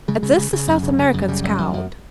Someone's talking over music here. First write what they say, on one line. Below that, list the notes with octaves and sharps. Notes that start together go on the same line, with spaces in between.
At this the South American scowled.
C#3 G#3
C#3
C#3
C#3
F#2
C#3
C#3
F#2
C#3 G3
F#2
F#2
F#2